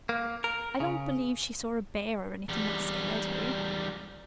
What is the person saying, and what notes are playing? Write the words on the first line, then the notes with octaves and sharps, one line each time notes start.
I don't believe she saw a bear or anything that scared her.
A#3
A#4
C#3
E2 G3